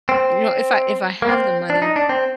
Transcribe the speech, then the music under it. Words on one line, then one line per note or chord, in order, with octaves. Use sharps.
you know, if I if I have the money,
C4
A#3
C4
D4
D#4
D4
C4